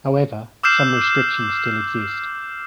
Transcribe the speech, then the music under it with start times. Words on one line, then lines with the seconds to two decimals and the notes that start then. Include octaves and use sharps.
However, some restrictions still exist.
0.63 D6 E6 F6 G6 C7 E7